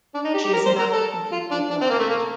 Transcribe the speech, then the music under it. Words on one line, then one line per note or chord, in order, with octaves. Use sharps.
She is now completely blind.
D4
D#4
G4
G4
A#4
C5
A#4
A4
F4
D4
D4
C4
A#3
A3
A#3